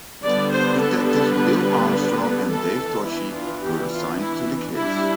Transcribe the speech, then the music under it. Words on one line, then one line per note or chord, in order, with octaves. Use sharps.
Detectives Bill Armstrong and Dave Toschi were assigned to the case.
D3 G3 B3 D4 D5
C5
A4
A4
B4
E3 B3 D4 A4
E4
F4
G4
F4
E4
G3 D4 E4